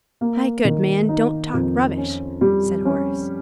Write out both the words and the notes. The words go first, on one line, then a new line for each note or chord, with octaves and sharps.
"My good man, don't talk rubbish!" said Horace.
A#3
D#3
D#4
F2
C#4
G3
C#4